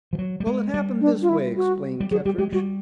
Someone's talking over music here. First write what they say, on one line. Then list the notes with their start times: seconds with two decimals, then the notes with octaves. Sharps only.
"Well, it happened this way," explained Kettridge.
0.13 F3
0.19 F#3
0.40 G3
0.47 G#3
0.74 G3
1.01 D4
1.22 F4
1.29 E4
1.56 F#4
2.00 G3
2.11 F#3 G#4
2.25 G3 G4
2.38 G#3 G4
2.53 G3 F#4